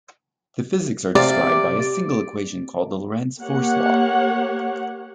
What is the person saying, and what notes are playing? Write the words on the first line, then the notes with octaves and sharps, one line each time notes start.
The physics are described by a single equation called the Lorentz force law.
C3 G4 D5 F5
A#3 G4 C#5 F#5